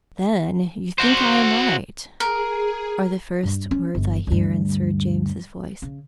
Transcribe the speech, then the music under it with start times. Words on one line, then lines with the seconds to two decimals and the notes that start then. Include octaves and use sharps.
"Then you think I am right?" are the first words I hear, in Sir James's voice.
0.98 F#4 C5
2.20 G#4 A#4
3.43 G2
3.71 C#4
3.95 G1
4.27 D2 G2
5.82 C#3